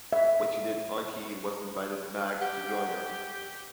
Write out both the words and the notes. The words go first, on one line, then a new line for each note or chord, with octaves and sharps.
When she did, Archie was invited back to join her.
E5
G4 F#5